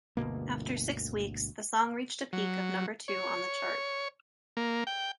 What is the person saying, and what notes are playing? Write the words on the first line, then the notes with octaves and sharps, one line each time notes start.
After six weeks, the song reached a peak of number two on the chart.
G1 D2 B2 A#3
F#3
C#5
A#3
G5